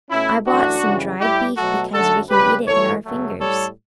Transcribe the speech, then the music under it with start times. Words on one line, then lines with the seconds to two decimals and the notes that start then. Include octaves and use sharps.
I bought some dried beef because we can eat it in our fingers.
0.10 B2 A3 C#4 E4
0.47 F#2 E3 A3 D4 F#4
0.84 F#2 C#3 E3 G3
1.20 A2 G3 E4 G4
1.57 B2 F#3 A3 F#4 A4
1.94 F#2 D3 A3 F#4 A4
2.30 C#3 G3 G4 B4
2.67 F#2 E3 A3 A4 C#5
3.04 F#2 C#3 F#3 A3
3.40 A2 G3 A4 C#5